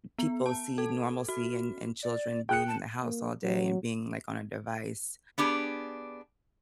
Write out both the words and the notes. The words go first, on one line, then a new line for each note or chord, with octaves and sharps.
people see normalcy and and children being in the house all day and being, like, on a device,
B3
A5
A4
F#4
D5
G#4 G5 F#6 C#7
A5
A#3
F#3
B3 D4 G4 G#4